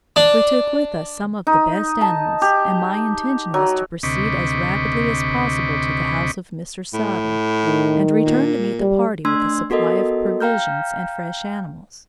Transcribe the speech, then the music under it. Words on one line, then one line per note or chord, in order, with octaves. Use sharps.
We took with us some of the best animals, and my intention was to proceed as rapidly as possible to the house of Mr. Sutter, and return to meet the party with a supply of provisions and fresh animals.
D4
D#4
A5
G4
F#3
D2 C3 D#5 B5 C#6 D6
A2
D#3
A#2
G3
A3 D4 C6 E6 G#6
B3 F#4 A4 A#4 D#5
F5 G5 A#5 F6 G6